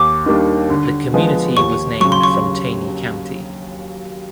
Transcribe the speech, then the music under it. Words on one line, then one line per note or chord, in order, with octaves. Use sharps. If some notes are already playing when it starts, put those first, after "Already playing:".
The community was named from Taney County.
Already playing: D#2 D6
D#3 G3 A#3 D4
D3
F3 G#3 B3
D#2 C#6
C#3 F#3 C#6
C6
C#6